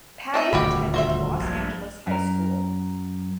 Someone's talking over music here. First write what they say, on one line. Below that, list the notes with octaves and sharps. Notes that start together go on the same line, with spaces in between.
Patty attended Los Angeles High School.
C4 D#4 E5
D#1 D2 G2 F#4 G4 B5
F#4 C5 E5
A#1 G2
F#2 A#4